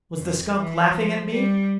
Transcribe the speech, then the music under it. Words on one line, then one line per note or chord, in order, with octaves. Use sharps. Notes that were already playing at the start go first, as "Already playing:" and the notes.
"Was the skunk laughing at me?"
F2
E3
F3
G3